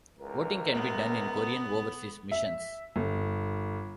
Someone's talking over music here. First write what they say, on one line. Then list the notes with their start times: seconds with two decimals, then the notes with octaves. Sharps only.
Voting can be done in Korean overseas missions.
0.18 C#2 E3 A#4
0.75 B3
2.31 E5
2.96 G1